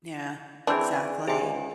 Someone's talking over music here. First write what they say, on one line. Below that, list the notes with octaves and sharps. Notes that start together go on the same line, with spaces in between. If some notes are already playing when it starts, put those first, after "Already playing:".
Yeah, exactly.
E3 C4 D4 G#4 D5
C3 G#4 G#5
C#2